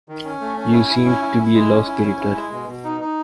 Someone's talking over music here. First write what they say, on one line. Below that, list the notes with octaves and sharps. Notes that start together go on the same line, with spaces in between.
You seem to be low-spirited.
D#3
C#4
A3
C#4
E4
E4
C#4
E4
E4
G#3
C#4
E4
C#4
E4
G#3
B2
B2
D#4
D#4